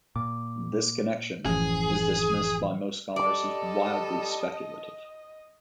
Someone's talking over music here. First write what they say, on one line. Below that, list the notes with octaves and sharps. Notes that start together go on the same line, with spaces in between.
This connection is dismissed by most scholars as "wildly speculative".
A#2 D6
F#1 A2 E3 F3 C#4 G#4
G3 A4 D5 D#5